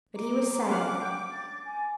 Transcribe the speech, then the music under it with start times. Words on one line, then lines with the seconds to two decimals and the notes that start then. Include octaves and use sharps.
But he was silent.
0.16 A#5 D6
0.68 C#4 D4 F5 F#5
1.02 G5
1.32 A6
1.65 G#5